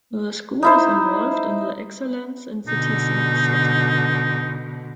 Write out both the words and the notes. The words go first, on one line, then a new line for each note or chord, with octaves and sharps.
The school is involved in the "Excellence in Cities" initiative.
D#4 E4 C5
B2 D3 D#4